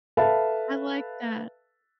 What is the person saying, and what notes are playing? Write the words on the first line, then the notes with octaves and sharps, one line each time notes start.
I like that.
A4 B4 E5 F5 A5